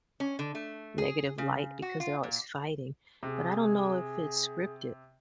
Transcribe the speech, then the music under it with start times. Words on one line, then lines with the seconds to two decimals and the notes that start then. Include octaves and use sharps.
negative light because they're always fighting, but I don't know if it's scripted.
0.20 C#4
0.39 D3
0.55 A3
0.98 G#4
1.38 C#3
1.82 F#4
2.00 F4
2.23 A#2
3.23 C3 G#4